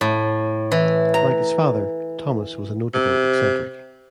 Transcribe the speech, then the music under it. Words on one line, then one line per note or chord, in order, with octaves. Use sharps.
Like his father, Thomas was a notable eccentric.
A2
E3
A#5
C3